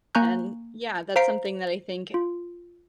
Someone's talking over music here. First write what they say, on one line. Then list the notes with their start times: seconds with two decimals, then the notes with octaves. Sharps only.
and yeah, that's something that I think
0.15 A#3 G#5 A#5 C#6 F#6 G6
1.16 C5 F5 A#5 B6 C7 D7
2.14 F4